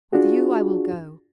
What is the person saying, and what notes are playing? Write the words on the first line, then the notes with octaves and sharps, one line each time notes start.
With you I will go.
D4 F4 F#4 G#4